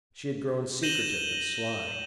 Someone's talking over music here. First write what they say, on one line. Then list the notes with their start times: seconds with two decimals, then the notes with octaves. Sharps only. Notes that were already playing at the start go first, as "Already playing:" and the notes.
She had grown secretive and sly.
0.83 G6 A#6 D#7 E7 F#7 G7